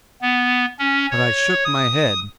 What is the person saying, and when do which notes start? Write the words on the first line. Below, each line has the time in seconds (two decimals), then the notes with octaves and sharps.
But I shook my head.
0.22 B3
0.79 C#4
1.10 C#5
1.64 D#6